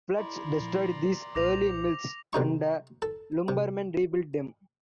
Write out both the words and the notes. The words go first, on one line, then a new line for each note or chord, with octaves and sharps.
Floods destroyed these early mills, and the lumbermen rebuilt them.
E4 D5 A#5 C6
A#2 F3
B1 A#2 C5 D6 A#6 F7
B1 C3 D#4 C#6
A4
C3